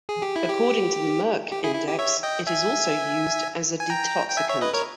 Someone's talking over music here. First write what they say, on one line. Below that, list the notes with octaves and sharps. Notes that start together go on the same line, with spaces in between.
According to "The Merck Index", it is also used as a detoxicant.
G#4
G4
E4
G4
G4
E4 G#4
E4
G4
C#5 E5
D#5 G5
E5 G#5
G#5
G5 A#5
G5
E5 G#5
C#5 E5
B4 D#5
A#4 C#5